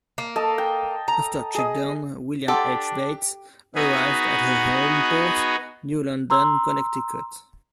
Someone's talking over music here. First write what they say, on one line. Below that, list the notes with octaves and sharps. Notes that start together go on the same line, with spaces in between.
After shakedown, "William H. Bates" arrived at her home port, New London, Connecticut.
A#3
A4 D#5 A5
G5
A#5
G#4 D#5
D4 G4 A4 F#5 C6 D6
B3 D#4 F#4 G#4 B4
A#5 C6 E6